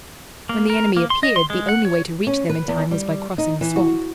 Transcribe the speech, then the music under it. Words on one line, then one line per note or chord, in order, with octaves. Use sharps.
When the enemy appeared the only way to reach them in time was by crossing a swamp.
A#3
A#4
A#3
C6
D#5
C6
G#3
F#5
C#5
C#4
B4
E2
G3
D#4
E3
F#4